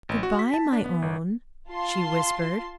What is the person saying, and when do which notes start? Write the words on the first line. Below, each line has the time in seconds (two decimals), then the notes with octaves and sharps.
"Good-bye, my own," she whispered.
0.09 A1
0.23 F#4
0.39 B6
0.54 A5
0.73 D4
0.84 B3
1.02 G1
1.69 F4 A5 C6